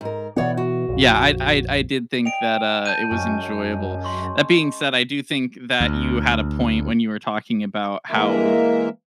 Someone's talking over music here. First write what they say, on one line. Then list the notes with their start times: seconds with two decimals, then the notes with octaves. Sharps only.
yeah, I I I did think that, uh, it was enjoyable. That being said, I do think that you had a point when you were talking about how d
0.01 G#2 A#4
0.36 B2 E3 B3 C#5 D5 F#5
0.57 F#4
0.89 A#1 F2
2.25 D#5 G5 G#5 D7 F7
2.86 A5 G6 D#7
3.11 F#2 G#3 C#4
4.05 C6 C#6
5.80 D2
8.11 E3 G#3 A#3 A#4 E5